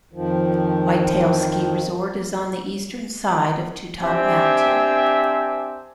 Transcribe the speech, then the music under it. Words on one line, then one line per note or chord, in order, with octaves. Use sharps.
Whitetail Ski Resort is on the eastern side of Two Top Mountain.
F2 D#3 F3
C4 D4 G4 E5 G#5